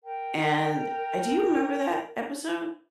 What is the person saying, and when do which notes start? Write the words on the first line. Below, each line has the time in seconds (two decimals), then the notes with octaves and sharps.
and uh, do you remember that episode?
0.04 A#4 G5